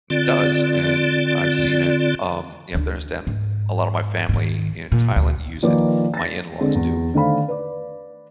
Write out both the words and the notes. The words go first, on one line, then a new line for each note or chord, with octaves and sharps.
it does, and I've seen it. Um, you have to understand, a lot of my family in Thailand use it. My in-laws do.
D3 C4 F4 D5
D2 D4
G#2
G#2 D#3
A#2
D2
D#3 F3 A#3 B4 D5
A6 A#6
D3 G#3 C4
E2
D3 D#3 A3 C5 F5 B5
B4 D5